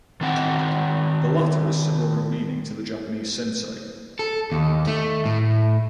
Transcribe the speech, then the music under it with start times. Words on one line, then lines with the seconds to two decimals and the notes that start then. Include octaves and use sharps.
The latter is similar in meaning to the Japanese "sensei".
0.21 D#3 C4 F#5 G5
4.19 A4
4.52 D#2
4.87 A3
5.26 A2